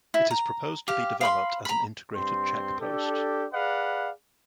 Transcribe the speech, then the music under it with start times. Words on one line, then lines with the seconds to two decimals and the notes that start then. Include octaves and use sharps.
It is proposed to be developed as an Integrated Check Post.
0.14 E4
0.31 A#5
0.88 G4 F5
1.21 F5 B5 C6
1.65 A#5 B5
2.15 G2 C4 C6
2.80 D4 G4 A4
3.54 G#4 B4 D5 F5 F#5